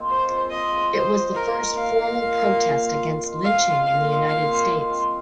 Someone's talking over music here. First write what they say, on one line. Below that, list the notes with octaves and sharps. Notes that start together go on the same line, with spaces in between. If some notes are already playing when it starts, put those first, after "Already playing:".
It was the first formal protest against lynching in the United States.
Already playing: G#3 A#3 C4 F4
F3 C5
G#3 C4
F3 D#5
G#3 F4
F3 C5
G#3 F4
G#2 A#4
F3 A#3 D#4
G#2 F5
F3 A#3 D#4
A#2
A#3 F4
A#2
A#3 F4
C3
G#3 F4
C3 F5
G#3 F4
A#2 F5
G#3 C4
A#2 F5
G#3 C4
F3
G#3 C4 F4